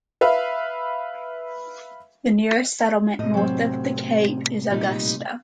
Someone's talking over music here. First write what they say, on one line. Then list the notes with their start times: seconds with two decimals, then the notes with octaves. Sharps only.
The nearest settlement, north of the cape, is Augusta.
0.21 B4 E5 F5
3.19 A2 C3 D#5
3.34 F#3 C4
4.70 A#2 G3 D#4